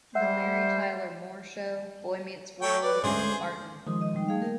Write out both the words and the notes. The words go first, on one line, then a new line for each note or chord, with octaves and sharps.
"The Mary Tyler Moore Show", "Boy Meets World", "Martin".
G3 C5 E5 F#5
A3 C#5 G5
B4 D5
D2 G#3 C#4 G#4 C5 D5
D#3 F3 G#3 D#6
D#5
G3 D#4 G5
A3 G#4 F5
A#3 A#4